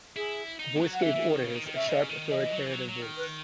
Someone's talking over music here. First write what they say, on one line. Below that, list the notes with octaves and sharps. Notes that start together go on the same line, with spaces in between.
A voice gave orders, a sharp authoritative voice.
E4 G#4
D#4
G#3
F#3
F#5
E3 E5
E3
D#3
C#3
D#3
D#3
C#3 E5
C#3 D#5
D#3
E3 D#5
F#3
E3
F#3
F#3
D#3
B4